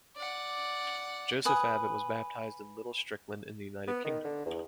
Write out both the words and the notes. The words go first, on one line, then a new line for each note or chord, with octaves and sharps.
Joseph Abbott was baptized in Little Strickland, in the United Kingdom.
D5 F#5
B4 G#5 D#6
B3
D#3
D3
E2